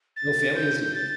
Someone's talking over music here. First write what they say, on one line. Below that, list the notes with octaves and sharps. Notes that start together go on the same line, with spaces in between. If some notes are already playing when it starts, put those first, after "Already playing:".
no family is a
A6
G6
A6